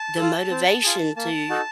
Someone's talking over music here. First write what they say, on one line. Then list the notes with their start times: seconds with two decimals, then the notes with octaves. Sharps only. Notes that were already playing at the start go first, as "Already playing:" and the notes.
the motivation to
Already playing: A5
0.17 F4 A4
0.51 C4
0.83 F4 G#4
1.16 A#3 A5
1.50 D#4 F#4 A4